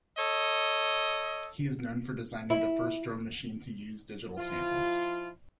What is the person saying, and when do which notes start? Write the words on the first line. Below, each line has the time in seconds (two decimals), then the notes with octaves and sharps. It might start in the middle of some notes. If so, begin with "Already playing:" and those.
He is known for designing the first drum machine to use digital samples.
0.17 A4 C#5 D#5
2.50 E4
4.37 F3 E4 F4